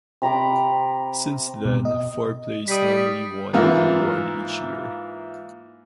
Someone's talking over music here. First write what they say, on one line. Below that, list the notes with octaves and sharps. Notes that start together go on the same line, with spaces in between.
Since then, four plays normally won the award each year.
C3 A#5 B5 D6
B2
D#5
G3 D#6 B6
G#2 E3 A#3 E4 F4